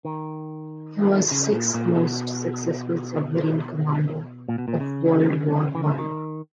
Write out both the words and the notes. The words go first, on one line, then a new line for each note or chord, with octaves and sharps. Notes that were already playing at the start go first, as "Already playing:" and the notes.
He was the sixth most successful submarine commander of World War One.
D#3
C#3
A#2
A#2
B2
A#2
B2
A#2
C#3
E3
D#3
C#3
D#3